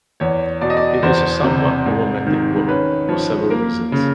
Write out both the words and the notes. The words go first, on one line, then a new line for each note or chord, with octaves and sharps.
It is a somewhat problematic work for several reasons.
E2 C#5
B2 D5
D#5
D5
E2 C5
C3
G#2
D#3
C#4 B4
F3 C#5
A#3 A#4
C#3